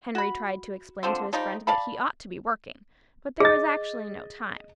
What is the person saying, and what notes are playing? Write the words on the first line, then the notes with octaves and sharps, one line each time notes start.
Henry tried to explain to his friend that he ought to be working, but there was actually no time.
F#4 B5
D3 F3 C4
F3 G3 D#4
D5 F5 A5 B5
G#4 D#5 A6